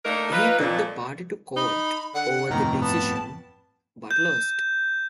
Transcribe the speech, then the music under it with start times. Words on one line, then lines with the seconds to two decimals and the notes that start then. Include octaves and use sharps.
He took the party to court over the decision, but lost.
0.05 A3 A#3 D4 D#4 A#4
0.32 A#3 D#4 F4 B4
0.59 F2 A#2
1.57 D#4 B5
2.14 D3 F#5
2.50 G1 F2 A2 D#3 A#5
2.81 B3 A5
4.11 G6